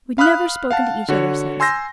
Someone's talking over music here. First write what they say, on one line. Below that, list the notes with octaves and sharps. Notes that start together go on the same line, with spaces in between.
We've never spoken to each other since.
F5 B5 D#6 F6 F#6
F5 F#5 A5
D3 F#4 C#5
G#5 C6 E6 G6 A#6